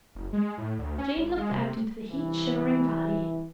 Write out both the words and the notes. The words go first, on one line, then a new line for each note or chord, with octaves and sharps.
Jane looked out into the heat-shimmering valley.
F#1
G#3
A2
D2
C#4
G#1
G#3
C3
C2 E3